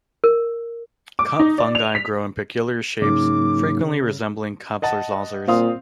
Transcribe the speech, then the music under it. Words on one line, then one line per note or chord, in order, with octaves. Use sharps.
Cup fungi grow in peculiar shapes, frequently resembling cups or saucers.
A#4
D6
D#4
D5
F7
B6
G#2 C#3 F#3 A#3 D#4 D6
D#5 F#5 A5
A#2 C4 F5 D#6